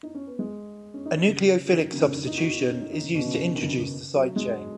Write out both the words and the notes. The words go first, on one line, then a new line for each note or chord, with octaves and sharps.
A nucleophilic substitution is used to introduce the sidechain.
D#4
C#4
B3
G#3
C#4
D#4
C#3
D#3
F#3
C#3
C#3
D#3
D#4
F#4
D#4
D#4
C#4
D#4
D#4
C#3
B2
C#3
C#3
C#3
D#3
C#3
D#3
C#3
F#3
G#3